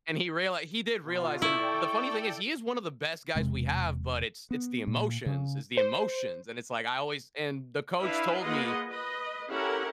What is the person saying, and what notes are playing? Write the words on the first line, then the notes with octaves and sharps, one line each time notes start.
and he reali he did realize, and the funny thing is he is one of the best guys we have, but it's it's the emotions, it's the emotions. And it's like I always and the coach told me,
B2 F4
E4 A4 D5 G5 C#6
E1 C3 G#3
B3
A#2
C#3
C5
D4 E4 B4 E5 F5
A#3 F4 G#4 B4 D#5 F#5
B4 D#5
C#4 E4 G4 A4 A#4 F#5